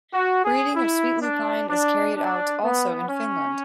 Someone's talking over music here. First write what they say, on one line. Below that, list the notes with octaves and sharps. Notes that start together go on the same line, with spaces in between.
Breeding of sweet lupine is carried out also in Finland.
F#4
G#4
E4
D4
D4
D4
B3
C#4